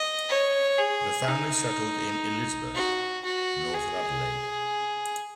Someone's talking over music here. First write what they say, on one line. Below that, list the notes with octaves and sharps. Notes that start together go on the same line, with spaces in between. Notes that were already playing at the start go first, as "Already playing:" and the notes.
The family settled in Elizabeth, north of Adelaide.
Already playing: D#5
C#5
G#4
D#4
F#4
F#4
G#4